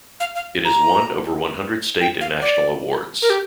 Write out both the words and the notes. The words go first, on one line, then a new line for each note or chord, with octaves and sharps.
It has won over one hundred state and national awards.
F5
F5
A#5
G5
F5
D5
A#4
G4